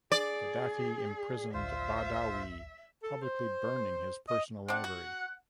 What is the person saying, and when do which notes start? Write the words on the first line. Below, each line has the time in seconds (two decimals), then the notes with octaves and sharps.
Gaddafi imprisoned Badawi, publicly burning his personal library.
0.12 G#4 D5
1.54 A1 D2 F4 C5 E5
3.03 A4
3.22 C5
4.28 D#5
4.68 C4 D4 F#5
4.84 F#4